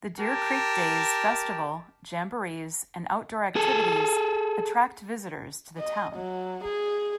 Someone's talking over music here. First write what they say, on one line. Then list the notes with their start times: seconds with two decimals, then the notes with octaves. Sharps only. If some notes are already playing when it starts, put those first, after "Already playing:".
The Deer Creek Days Festival, Jamborees, and outdoor activities attract visitors to the town.
0.19 G4 A#4 A5
3.56 G#4 A4
5.79 D#5
6.16 F#3
6.64 G#4